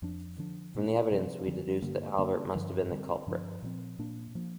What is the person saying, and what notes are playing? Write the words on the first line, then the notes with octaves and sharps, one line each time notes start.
From the evidence we deduced that Albert must have been the culprit.
F2 F3 D4
D3 F3 D4
A#2 A#3 D4
C3 F3 C4
D3 F3 C4
G2 D3 A#3
D3 A#3 D4
G2 D3 F3
D3 G3 C4
G2 D3 F3 D4
A#2 F3 C4
A#2 A#3 D4
F3 A#3